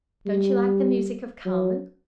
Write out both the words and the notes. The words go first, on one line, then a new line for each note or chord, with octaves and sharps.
Don't you like the music of CARMEN?'
G3
F#3